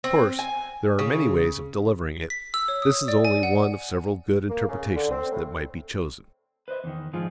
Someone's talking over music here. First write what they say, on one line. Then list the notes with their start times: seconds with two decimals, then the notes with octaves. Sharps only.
Of course, there are many ways of delivering it; this is only one of several good interpretations that might be chosen.
0.04 C4
0.39 G#5
0.99 C#3
2.30 B6
2.54 E6
2.68 C#5
2.82 D#6
3.08 D5
3.25 G#5
3.43 F#5
4.49 A#3
4.69 C#3
4.95 D3
5.11 C4
5.32 A2
6.68 B4 C5 D#5 E5
6.84 E2 D#3
7.13 G#2 F3 D#4 F4 G#4